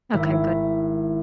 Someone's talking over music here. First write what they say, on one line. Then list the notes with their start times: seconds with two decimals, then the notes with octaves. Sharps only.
Okay, good.
0.13 G#1 E4